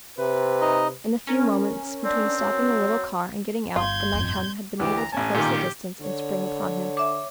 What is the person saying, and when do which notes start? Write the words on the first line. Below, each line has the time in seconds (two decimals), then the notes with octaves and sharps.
In the few moments between stopping the little car and getting out, the nighthound had been able to close the distance and spring upon him.
0.18 C3 B4
0.61 D#4 D#5
1.27 C#4 A#4
2.05 C4 D4
2.41 F#3
3.76 G1 F4 C6 G6 G#6
4.14 F2 A2
4.80 D2 E3 G4
4.97 A#5
5.12 A1 C#4 G#5 A5
5.34 A#2 D#3 G4
6.01 D3 C#5
6.97 E5 D6